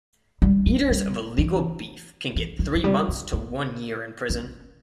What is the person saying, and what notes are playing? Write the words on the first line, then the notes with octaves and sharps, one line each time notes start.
Eaters of illegal beef can get three months to one year in prison.
G3
F#3
G3
E3
E3
F#3
F#3
G3
B3
B3
C#4